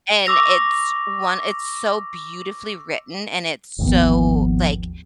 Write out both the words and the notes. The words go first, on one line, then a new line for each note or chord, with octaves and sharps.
and it's one it's so beautifully written, and it's so like
C#6 D6 E6 A#6 F7
G#1 D#2 F3 B3